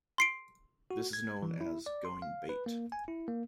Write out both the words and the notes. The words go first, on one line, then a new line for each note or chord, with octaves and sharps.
This is known as "going bait".
C6 C7 D7
F#4
G#6
E3
E4
D5
C6
F5
B4
A#3
G#5
E4
A#3